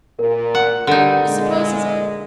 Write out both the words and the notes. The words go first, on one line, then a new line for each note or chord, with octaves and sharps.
Who supposes it?
A#2 A#4
F#5
G2 D3 G3 D#4
A#2 G#3